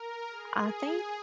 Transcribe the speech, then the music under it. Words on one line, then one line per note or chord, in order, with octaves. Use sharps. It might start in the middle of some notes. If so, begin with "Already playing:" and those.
I think
Already playing: A#4
G#4